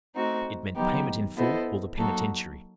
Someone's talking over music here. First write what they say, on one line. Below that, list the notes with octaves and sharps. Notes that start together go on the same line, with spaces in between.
It meant payment in full or the penitentiary.
A3 C4 D#4 F#4
D#3 F#3 B3 D#4 G4
B3 E4 A4 C5 D#5
F#3 A#3 D#4 F#4 A4